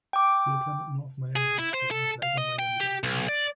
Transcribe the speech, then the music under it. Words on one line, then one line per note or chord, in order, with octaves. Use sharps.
He attended North Miami High School, and later Miami Dade College.
G5 D6
G#4
E4
C5
A4
F5
D#5
G5
G4
B1
D5